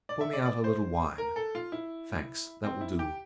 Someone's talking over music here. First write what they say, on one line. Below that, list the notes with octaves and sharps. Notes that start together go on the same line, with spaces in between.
Pour me out a little wine; thanks, that will do.
D5
E5
D5
D5
C5
A#4
A4
F4
E4
C4
E4
G4